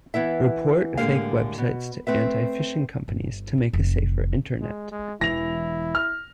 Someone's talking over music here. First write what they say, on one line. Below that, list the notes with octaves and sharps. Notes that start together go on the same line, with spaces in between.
Report fake websites to anti-phishing companies to make a safer internet.
E3 B3 E4 E5
A2 D3 G#3 A#3 G4 F5
B2
A3 C4 B4 E5
G1
D4
F1 E3
G#3
G#3
E1 E3 E4 A#6 F7
F6